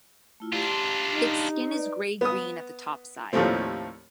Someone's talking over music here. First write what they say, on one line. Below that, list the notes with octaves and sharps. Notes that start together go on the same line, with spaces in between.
Its skin is grey-green at the top side.
A3 E4 F4
D4 F4 G4
D#4
B4 D5
B3 D#6
D#2 A2 F3 G3 A3 C4